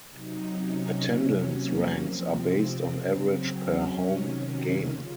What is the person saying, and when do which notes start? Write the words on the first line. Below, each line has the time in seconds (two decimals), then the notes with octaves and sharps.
Attendance ranks are based on average per home game.
0.11 C3 F#3 D#4
0.58 C#4
1.06 C3 F#3
1.53 A#3
2.01 C3 F3 C4
2.49 C4
2.96 C#3 F#3 C4
3.44 C#4
3.92 C3 D#3 F#3
4.86 C#3 F4